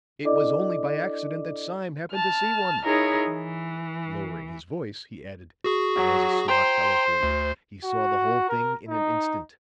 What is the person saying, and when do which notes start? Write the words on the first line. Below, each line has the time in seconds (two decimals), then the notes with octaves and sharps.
It was only by accident that Sime happened to see one." Lowering his voice, he added: "There's a smart fellow for you; he saw the whole thing in an instant.
0.24 D4 E4 A4 D5 D#5 D6
2.12 A5 F6
2.83 D#4 E4 G#4 A#4 C#5
3.28 E3
5.64 F#4 G#4 C#6
5.96 F#3
6.48 C5 G5 A#5 C6
7.23 D2
7.84 F#4
8.49 A#4
8.89 D#4